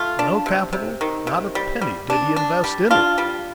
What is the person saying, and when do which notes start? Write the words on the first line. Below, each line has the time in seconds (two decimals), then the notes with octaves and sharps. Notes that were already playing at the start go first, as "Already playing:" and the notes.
No capital, not a penny did he invest in it.
Already playing: A3 F4
0.19 D4
0.46 C3
0.73 C3
1.01 D#3
1.27 C3
1.55 G3
1.81 G3
2.10 D4
2.36 D4
2.64 G3
2.91 D4 F4
3.18 G3